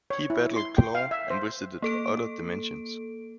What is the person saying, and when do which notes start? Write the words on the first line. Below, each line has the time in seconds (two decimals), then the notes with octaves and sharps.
He battled Klaw, and visited other dimensions.
0.10 C#5
0.30 E4
0.56 C6
0.77 G5
0.95 F5
1.11 E5
1.30 C5
1.82 A#3 A4 D7